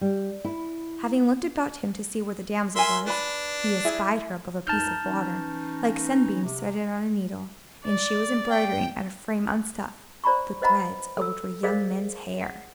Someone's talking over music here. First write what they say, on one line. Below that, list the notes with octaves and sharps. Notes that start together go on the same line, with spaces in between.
Having looked about him to see where the damsel was, he espied her above a piece of water, like sunbeams threaded on a needle, and she was embroidering at a frame on stuff, the threads of which were young men's hair.
G3
E4
A#4 E5 G#5 C6
D4 B4 B5
E4 G#4 E5
C#2 F#2 D#4 A5 F6 G6
E3 C#4 D#4
C3
D5
G5
C5 D5 A#5 B5 C#6
B4 C5 D#5 F#5 A#5 B5
A4 E6
G#4 A#4 C5 D5 D#5 F5
F#5